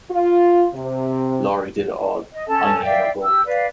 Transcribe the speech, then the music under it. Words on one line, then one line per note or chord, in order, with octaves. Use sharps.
Laurie did it all; I only let her go.
F4
C3
D#5
C#4 A4 A5
D5 E5 F5 G5
G4 E6
B4 D5 F5